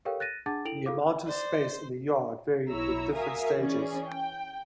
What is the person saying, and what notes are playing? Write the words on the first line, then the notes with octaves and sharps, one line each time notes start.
The amount of space in the yard varied with different stages.
G4 A4 A#4 C#5 F5 G5
F#6 A6 A#6 D#7
D4 G#4 F#5 A5 D6 A6
E4 A4 G5 D7 F7 F#7
F4 G#4 A4 F5 D6
C5 D5 C6
B1 E4 C#5 A#5 E6
F#4 A#4 E5 F5 G#5 D#6
E3 C#4 G#4 D5
G5